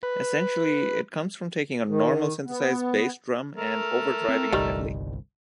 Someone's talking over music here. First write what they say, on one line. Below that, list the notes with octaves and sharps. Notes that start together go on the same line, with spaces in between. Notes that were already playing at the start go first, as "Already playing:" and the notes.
Essentially, it comes from taking a normal synthesized bass drum and over-driving it heavily.
B4
D#3
B3
A3 A#4
C4
G1 C2 D#3 G3